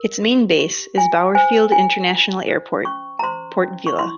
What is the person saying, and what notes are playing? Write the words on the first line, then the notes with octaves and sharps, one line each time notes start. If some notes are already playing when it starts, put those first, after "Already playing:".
Its main base is Bauerfield International Airport, Port Vila.
Already playing: A#4
G4
G4
F4 G#5
C5 G#5
F4 G#5
F4
C5
C#4 C#6
A#5
C5 C6
C#4
C#6
E4 C6